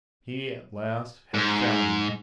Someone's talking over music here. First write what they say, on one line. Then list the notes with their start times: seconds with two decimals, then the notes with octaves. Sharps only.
He at last had found him.
1.34 G#2